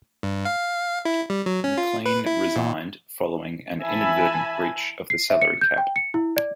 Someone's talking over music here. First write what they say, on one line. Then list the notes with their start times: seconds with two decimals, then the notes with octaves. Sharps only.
McLean resigned following an inadvertent breach of the salary cap.
0.23 G2
0.45 F5
1.05 E4
1.30 G3
1.46 F#3
1.64 C#4
1.78 F4
2.06 B4
2.26 E4
2.56 A#2
3.82 E3 E5 G#5 A5 B5
5.10 C7
5.30 E5
5.42 C#7
5.61 G6
5.78 G5
5.96 C#7
6.14 E4
6.36 D5